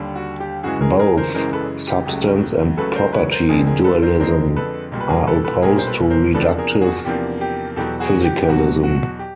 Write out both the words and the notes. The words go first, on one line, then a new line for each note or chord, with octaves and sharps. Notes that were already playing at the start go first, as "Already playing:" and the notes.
Both substance and property dualism are opposed to reductive physicalism.
Already playing: D#2 D3 G3
F#4
G4
F#2 C#3 E3 G#3 F#4 G#4
G#4 A#4
G#4 A#4
A#4 C5
F#2 C#3 E3 G#3 A#4 C5
A4 B4
G4
C#2 C#3 F#3 A3 G4
C#2 C#3 F#3 A3 A4 B4
A#4 C5
B4 C#5
A#4 C5
F2 D3 F3 G#3 C4 G#4 A#4
G#4 A#4
A4 B4
A#4 C5
F2 D3 F3 G#3 C4 A#4 C5
A4 B4
B1 A#2 G3
B4
G#4 A#4
A4 B4
A4 B4
B1 A#2 G3 G#4 A#4
C5
A4 B4
A#4 C5
E2 C3 F3 A#3 D4 A4 B4
G#4 A#4
F#4 G#4
E2 C3 F3 A#3 D4 G4
G4
E2 B2 F#3 B3 G4 A4
F#4 G#4
G4
G4
E2 B2 F#3 B3 F#4
F#4
G4